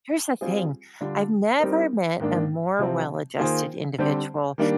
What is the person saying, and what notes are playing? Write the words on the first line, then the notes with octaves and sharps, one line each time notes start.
here's the thing, I've never met a more well adjusted individual.
G3 C4 F4 G#4
D3 G3 D4 F4
G3 C4 D#4 A#4
G#2 D#3 A#3 D4
C3 F3 C4
D#3 A#3 F4 G#4 C5
D3 G3 C4 G4 C5
D#3 G3 A#3 D4